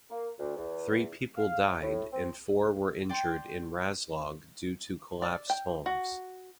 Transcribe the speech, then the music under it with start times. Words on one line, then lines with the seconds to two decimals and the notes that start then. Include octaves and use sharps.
Three people died and four were injured in Razlog due to collapsed homes.
0.10 A#3
0.38 D2
0.56 E2
1.37 F5
1.81 A2
2.12 C4
3.09 D5 G5 C6
5.22 D5
5.50 G5
5.86 F#4